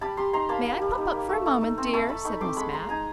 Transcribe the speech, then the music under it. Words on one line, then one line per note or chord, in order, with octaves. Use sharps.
"May I pop up for a moment, dear?" said Miss Mapp.
G3 A5 B5
G3 A#5 C6
D#4 A#5 C6
A#3 A5 B5
G3
G3
D#4
A#3
A3
A3
D#4
C4
A3 A5 B5
A3 B5 C#6
D#4 B5 C#6
C4 C6 D6
G#3 B5 C#6
G#3 A#5 C6
D#4 G#5 A#5